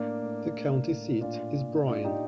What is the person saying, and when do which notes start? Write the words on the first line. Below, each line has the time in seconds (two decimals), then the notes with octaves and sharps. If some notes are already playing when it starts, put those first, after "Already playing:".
The county seat is Bryan.
Already playing: A2 A#3 D4
0.22 A2
0.55 A2
0.88 A2
1.21 A#2 D4 F4
1.55 A#2
1.88 A#2 D4 F4
2.04 D#4 G4